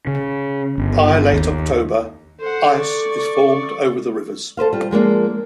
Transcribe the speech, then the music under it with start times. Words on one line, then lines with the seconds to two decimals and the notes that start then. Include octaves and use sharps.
By late October ice is formed over the rivers.
0.07 C#3
0.78 G1
1.33 D#2
2.41 A4 C5 F#5
2.79 D5 C#6
4.57 A4 B4 C5 F5
4.73 G3 F4
4.91 F3 G#3 A#3 D4